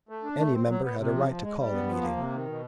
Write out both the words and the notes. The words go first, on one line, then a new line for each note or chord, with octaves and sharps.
Any member had a right to call a meeting.
A3
D4
A3
C4
F#3
B3
C3
F3
F3
G#3
G3
B3
F3
A#3
C3
D#3
B2